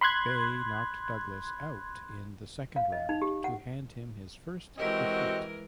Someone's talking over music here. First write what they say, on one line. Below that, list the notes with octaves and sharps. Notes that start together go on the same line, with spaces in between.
Bey knocked Douglas out in the second round to hand him his first defeat.
B5 C6 F#6 G#6
F5
D#5
D#4
G4
F#5
E3 G#3 C4 F#4 G4 A#4 D#5